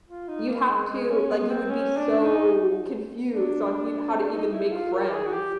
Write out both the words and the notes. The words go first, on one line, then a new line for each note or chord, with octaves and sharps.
you'd have to like, you would be so confused on he how to even make friends.
F4
D#4
A#3
G#3
G#3
C#4
B3
C4
C#4
D4
D4
D#4
D4
C4
D4
D#4
E4
F4
A#4
G4
G#4
F#4
G4